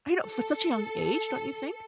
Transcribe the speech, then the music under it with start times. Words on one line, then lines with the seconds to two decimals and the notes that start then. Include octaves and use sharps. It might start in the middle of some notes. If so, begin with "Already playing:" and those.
I know for such a young age, don't you think?
0.23 A4